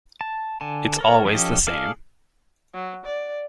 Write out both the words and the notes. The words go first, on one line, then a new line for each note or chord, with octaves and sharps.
It’s always the same.
A5
D3 G#5 A5
A4 A#4 C#5
F3 C#4 G4 A4 D#5
G#4 A4 D5 F5
F#3
D5